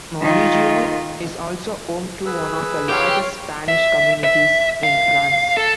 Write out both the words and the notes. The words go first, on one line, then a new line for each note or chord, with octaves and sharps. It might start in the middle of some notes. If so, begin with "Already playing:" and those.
Mauguio is also home to one of the largest Spanish communities in France.
D#3 F4
G#4 B4 E6
F4 G4 C#5 F5
E5
E5
F5
A4